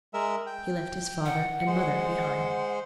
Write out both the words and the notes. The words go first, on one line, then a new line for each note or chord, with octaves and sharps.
He left his father and mother behind.
G#3 A#4 E5
G5
F#5
G#3 C5